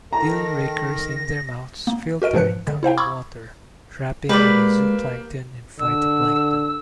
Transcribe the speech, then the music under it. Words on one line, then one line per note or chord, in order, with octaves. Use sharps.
Gill rakers in their mouths filter incoming water, trapping any zooplankton and phytoplankton.
D#3 A4 A#5 A#6
A#3
F#4 A#4 D#5 D7
G#2 E3 F3 B4 F#6 C#7
D3
E4 C5 F5 G5
B5 C#6 D6 E6 G#6
G#3 A#3 G4 B4 D5
D3 E6